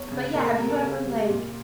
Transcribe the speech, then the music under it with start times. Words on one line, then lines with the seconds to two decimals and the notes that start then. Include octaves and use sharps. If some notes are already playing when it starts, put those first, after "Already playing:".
but, yeah, have you ever, like,
Already playing: E2 C#5
0.11 C#3
0.34 A#2 A#4
0.46 A4
0.59 G3 A#4
0.69 A4
0.81 C#3
1.06 G3
1.30 A#2